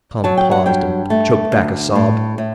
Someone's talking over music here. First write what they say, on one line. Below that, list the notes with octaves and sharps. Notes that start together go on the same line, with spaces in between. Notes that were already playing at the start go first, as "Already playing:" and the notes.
Tom paused, and choked back a sob.
F#3 A5
G5
F#5
G2 G5
A3
D2
A2
A2